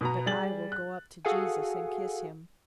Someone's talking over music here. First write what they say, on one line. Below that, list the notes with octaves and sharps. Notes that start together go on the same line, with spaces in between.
But I will go up to Jesus and kiss him.
B2 B3 A#5
G3 G#4 A6 F#7
F#6
F#4 G#4 A4 F5 F#5 G#5